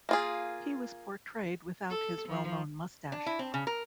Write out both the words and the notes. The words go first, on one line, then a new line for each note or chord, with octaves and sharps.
He was portrayed without his well-known mustache.
A#3 F4 G#4
A4
F3
D4
E4
C4
C#3
A#4